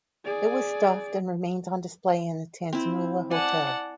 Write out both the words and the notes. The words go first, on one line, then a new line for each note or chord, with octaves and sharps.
It was stuffed and remains on display in the Tantanoola Hotel.
G#4 D5
C4 E4
D5 F#5 G#5 A5